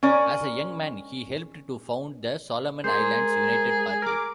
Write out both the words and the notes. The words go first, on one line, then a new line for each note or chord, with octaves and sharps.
As a young man he helped to found the Solomon Islands United Party.
C#4 A#4 D5
G#3 G#4 A#4 C5
A#4 D6